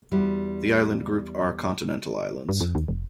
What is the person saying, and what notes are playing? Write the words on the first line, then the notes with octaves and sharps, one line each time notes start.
The island group are continental islands.
E2 G3 E4 F#4 C5
G2
F2
D#2
F1